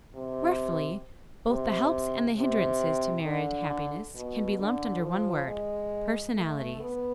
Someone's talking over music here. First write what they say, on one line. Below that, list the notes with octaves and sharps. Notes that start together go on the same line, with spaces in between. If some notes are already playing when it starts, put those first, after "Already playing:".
Roughly, both the helps and the hindrances to married happiness can be lumped under one word--personalities.
C3
C3
C3
D3
B2
D3
F3
G#3
A3
B3